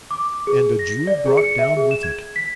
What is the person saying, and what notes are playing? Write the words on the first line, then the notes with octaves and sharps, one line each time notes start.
'And a Jew brought down with it!
D6
G#4
A#6
D5
G#4
C#7
E5
G#4
E7
G#6
B6